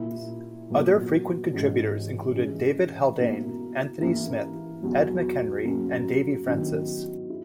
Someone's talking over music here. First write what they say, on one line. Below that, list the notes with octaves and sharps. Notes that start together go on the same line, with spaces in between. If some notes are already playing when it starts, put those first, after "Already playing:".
Other frequent contributors included David Haldane, Anthony Smith, Ed McHenry and Davy Francis.
Already playing: A#2 A#3 E4
A#2 F#3 B3 F#4
G#2 E3 G#3 C#4 F#4
C#3 E3 G#3
B2 A#3 E4
E3 A#3 E4
E2 B2 F#3
C#3 F#3 A#3
D#3 F#3 B3 E4
E4